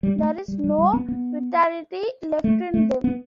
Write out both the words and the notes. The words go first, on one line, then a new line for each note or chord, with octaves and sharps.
There is no vitality left in them.
G3
A3
G3
G3
G3
B3
B3
A3
A3
B3